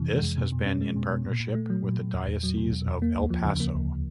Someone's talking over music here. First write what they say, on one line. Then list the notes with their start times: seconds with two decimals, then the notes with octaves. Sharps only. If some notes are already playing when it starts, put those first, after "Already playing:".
This has been in partnership with the Diocese of El Paso.
Already playing: F2 C3 E3
0.08 G#3
0.22 F2
0.38 B2
0.52 B2
0.66 C#4
0.81 G#3
0.96 B2
1.11 B2
1.26 A#2
1.40 A#2
1.55 A3
1.70 F#3
1.84 A#2
1.99 A#2
2.14 E2
2.28 E2
2.43 F#3
2.57 B2
2.72 E2
2.86 E2
3.02 A#3
3.16 D2
3.30 F3
3.45 C#3
3.60 A#3
3.74 D2